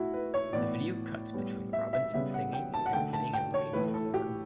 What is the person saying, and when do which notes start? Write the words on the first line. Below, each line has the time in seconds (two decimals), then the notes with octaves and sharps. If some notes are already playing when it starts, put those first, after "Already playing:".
The video cuts between Robinson singing and sitting and looking forlorn.
Already playing: B2 A3 E4 F#4
0.14 B4
0.34 C#5
0.53 A2 E3 B3 D5
1.33 A2 G3 B3
1.73 E5
1.93 E5
2.13 C#3 G3 B3 E5
2.34 F#5
2.53 G5
2.74 A5
2.86 F#5
2.93 D3 A3 G5
3.13 A5
3.33 G5
3.54 C#5
3.73 A2 E3 A3 B4
3.94 A4
4.14 G4